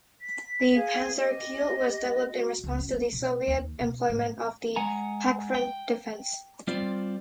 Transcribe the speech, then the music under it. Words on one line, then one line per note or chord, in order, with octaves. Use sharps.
The "panzerkeil" was developed in response to the Soviet employment of the "pakfront" defence.
B6
G#4 F5
G4 D#5
F#4
C#2
C#4
A#3
B2
D#2
B2
A2
G#3 F#5 G#5 A#5
G5
G3 C4 F4 C5 D5